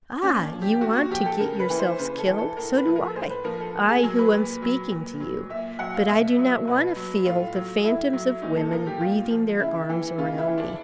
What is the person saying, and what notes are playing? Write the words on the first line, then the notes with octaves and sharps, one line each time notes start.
Ah! you want to get yourselves killed, so do I--I, who am speaking to you; but I do not want to feel the phantoms of women wreathing their arms around me.
A#2 C#4
D4
F3
G4
A#2 F#4
F#4
F3 G4
A4
C#3 A#4
B4
E3
C5
C#3 B4
A4
E3
A4
A2 A#4
B4
F3
A#4
A2 C5
B4
F3 A#4
A4
A#2
G#4
F#3 A#4
B4
A#2
F#3
A#2
F#3
A#2 E5
F#3 F#5
F5
B2 E5
F#3
B2 B4
F#3
A2 F4
F#3
A2 E4
F#3
A#2 D#4
A4
F3 A#4
G4
A#2 F4
F3
C#3 E4
E3
C#3 F4
E4
E3
D4